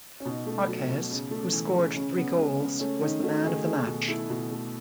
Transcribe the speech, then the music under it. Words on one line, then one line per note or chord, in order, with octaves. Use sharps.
Marques, who scored three goals, was the man of the match.
C#4
B2 D#4
A3
F#3
B2
C#3
A3
E3
C#3
C#3 C#4
B3
G#3
C#3
A3 C#4
D#3 D#4
A3 F#4
D#3 G#4
A3 G#4
B2
A3 E4
B2
A3